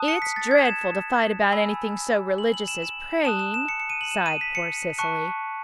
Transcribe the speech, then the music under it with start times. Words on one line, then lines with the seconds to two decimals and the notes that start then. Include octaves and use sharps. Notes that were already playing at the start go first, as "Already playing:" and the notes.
"It's dreadful to fight about anything so religious as praying," sighed poor Cecily.
Already playing: A5 D#6 F#6
0.08 C#7
0.22 B6
0.36 A6
0.51 G#6
0.66 E7
1.52 G#5 B5 E6
2.38 F#7
2.54 F#7
2.68 E7
2.82 E7
3.25 A5 D#6 F#6 E7
3.39 E7
3.54 E7
3.68 C#7
3.80 C#7
3.90 D#7
4.01 F#7
4.11 E7
4.26 D#7
4.41 B6
4.55 C#7
4.98 A5 C#6 F#6 C#7